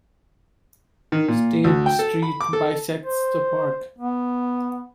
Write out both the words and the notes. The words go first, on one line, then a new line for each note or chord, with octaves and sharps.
State Street bisects the park.
D#3
A#2
D2
G5
A4
B5
D6
A4
C5
B3